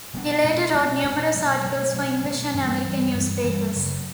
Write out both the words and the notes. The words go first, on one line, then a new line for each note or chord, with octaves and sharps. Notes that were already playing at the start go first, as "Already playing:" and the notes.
He later wrote numerous articles for English and American newspapers.
B2 G#3 B3 D4
B2 G#3 B3 D4
B2 G#3 B3 D4
B2 G#3 B3 D4
B2 F#3 A3
B2 F#3 A3
B2 F#3 A3
B2 F#3 A3
G2 E3 G3
G2 E3 G3
G2 E3 G3
G2 E3 G3
F#2 C#3 F#3